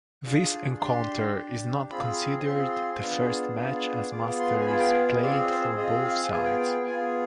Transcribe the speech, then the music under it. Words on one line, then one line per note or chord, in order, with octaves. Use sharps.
This encounter is not considered the first match as Masters played for both sides.
D4 F4 G#4
D4 G4 C6
D4 G4
C4 F4 G#4 B5
C4 F4 G#4 C6
C6
B3 D4 F4 G#4
B3 D4 F4 G#4
B3 F4 G#4 D6
C6
G#5
B3 F4 G#4 B5
G5
F5
D#5
C4 F4 G#4 D5
C5
C4 F4 G#4 D#5
F5
B3 F4 G#4 G#5
G5
G5
G5
B3 F4 G#4 G#5